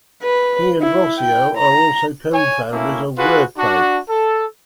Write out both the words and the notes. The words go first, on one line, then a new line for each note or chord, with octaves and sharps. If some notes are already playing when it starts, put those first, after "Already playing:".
He and Rossio are also co-founders of Wordplay.
B4
E4
G5
A#5
C#5 G#5
A3 A#3 C#4 E4
F4 F#4 G#4 B4
D4 F#4
A4